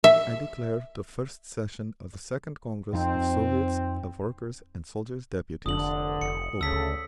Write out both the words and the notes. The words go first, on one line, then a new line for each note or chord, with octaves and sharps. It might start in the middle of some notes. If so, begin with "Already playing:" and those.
"I declare the first session of the Second Congress of Soviets of Workers' and Soldiers' Deputies open!"
E5
F2 C4 D#4
F1 D3 D#6 F#7
F1 C#7
D2 C#3 A4 E6 B6